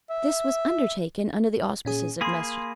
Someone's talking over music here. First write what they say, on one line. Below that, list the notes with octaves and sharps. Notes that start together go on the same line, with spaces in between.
This was undertaken under the auspices of Messrs.
E5
A#2 C#4 G#4
A#3 G#4 B5 C6